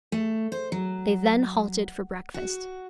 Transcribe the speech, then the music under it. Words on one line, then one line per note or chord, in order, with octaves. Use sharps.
They then halted for breakfast.
A3
C5
F#3
F#4